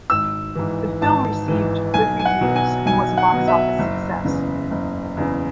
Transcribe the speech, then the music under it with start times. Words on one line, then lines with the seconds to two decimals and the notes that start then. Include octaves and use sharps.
The film received good reviews and was a box office success.
0.10 G#1 E6
0.55 G#2 E3
1.01 G#1 A5
1.48 G#2 E3
1.94 B1 G#5
2.19 G#5
2.25 F#5
2.41 B2 F#3
2.56 G#5
2.86 B1 G#5
3.18 F#5
3.32 B2
3.37 F#3
3.48 E5
3.79 F#1
4.25 E2 C#3
4.71 F#1
5.17 E2 C#3